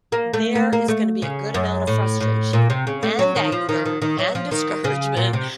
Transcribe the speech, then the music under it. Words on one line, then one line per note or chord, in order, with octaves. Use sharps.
there is gonna be a good amount of frustration and anger and discouragement,
A#3
A3
A#3
A#3
A3
C#3
F#2
A2
A2
A#2
C3
C#3
A3
F#3
D#3
F3
D#3
D#3
D#3
F#3
F3
D#3
C#3
A#2
C3